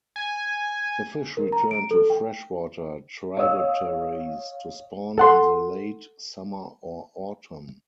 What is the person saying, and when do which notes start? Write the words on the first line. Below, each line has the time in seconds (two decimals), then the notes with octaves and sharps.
The fish return to freshwater tributaries to spawn in the late summer or autumn.
0.16 G#5
1.37 A#4
1.52 A#5
1.71 D7
1.91 A4
2.10 G5
3.37 C#5 D#5 F5 D#6 E6
5.18 A4 F#5 C6